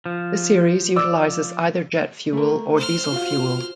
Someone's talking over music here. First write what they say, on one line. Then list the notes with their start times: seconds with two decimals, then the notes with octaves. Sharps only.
The series utilizes either jet fuel or diesel fuel.
0.06 F3
0.96 D5 D6 E6
2.33 A3 A#4
2.77 C5 F6
3.12 F4 F#4 F5